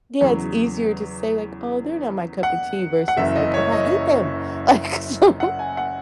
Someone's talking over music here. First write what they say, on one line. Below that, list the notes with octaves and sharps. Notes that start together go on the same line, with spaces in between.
yeah, it's easier to say, like, "Oh, they're not my cup of tea." versus, like, "Oh, I hate them!" Like, so
E2 C#3 F#3
F#5
F#5
F#1 F#2 E3 E5
D#5
C#5
D#5
F#5
G#5
F#5